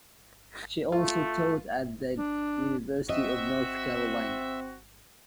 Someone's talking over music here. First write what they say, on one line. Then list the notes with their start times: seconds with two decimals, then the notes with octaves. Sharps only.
She also taught at the University of North Carolina.
0.92 A3 F4
2.17 D4
3.10 C4 F#4 D#5 E5